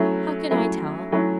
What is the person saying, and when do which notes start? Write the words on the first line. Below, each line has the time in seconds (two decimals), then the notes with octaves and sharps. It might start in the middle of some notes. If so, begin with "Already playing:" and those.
'How can I tell?
Already playing: F#3 A3 C#4 E4
0.51 F#3 A3 C#4 E4
1.12 F#3 A3 C#4 E4